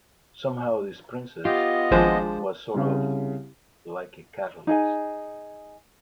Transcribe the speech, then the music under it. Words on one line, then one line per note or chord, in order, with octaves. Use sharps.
Somehow this princess was sort of like a catalyst.
B3 F4 G4 D#5
G#1 F3 G#3 D4 C5
C2 C#3
D#4 G#4 G#5